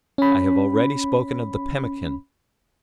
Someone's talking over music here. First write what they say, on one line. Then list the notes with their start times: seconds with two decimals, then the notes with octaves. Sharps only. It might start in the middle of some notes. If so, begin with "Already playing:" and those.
I have already spoken of the pemmican.
0.18 C#4 B5